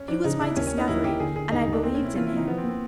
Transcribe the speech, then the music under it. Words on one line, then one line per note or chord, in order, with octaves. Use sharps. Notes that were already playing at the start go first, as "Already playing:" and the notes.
He was my discovery and I believed in him.
Already playing: C#4
F3 D4
C#3 D#4
C#3 E4
D#2 C#4
C#4
A#3
D#4
D#2 E4
D#2 G4
D3 G#4
D3 G#4
D#2 D#4
D#2
D4
A#3 C4
C#4
C3
E4
A#3 F4
E4
C3 D#4
F3 B3
C4
A#3
C4